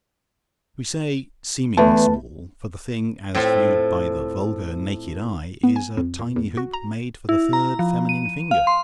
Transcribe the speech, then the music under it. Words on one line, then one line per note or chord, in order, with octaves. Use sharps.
We say, seemingly small; for the thing, as viewed by the vulgar, naked eye, is a tiny hoop made for the third feminine finger.
E2 A3 B4 A5
A2 C4 F4 A4 E5 C6
B3
G#5
F2
A#2
E2
F#4
A#5
E4
A#5
F3
D#7
F5
C6